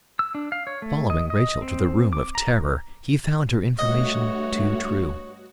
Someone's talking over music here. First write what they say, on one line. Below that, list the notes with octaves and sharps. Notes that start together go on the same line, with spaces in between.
Following Rachel to the room of terror he found her information too true.
E6
D4
F5
C#5
A3
D#5
D#5
C4
D6
A#5
G2 A3 F#4 C#5 D#5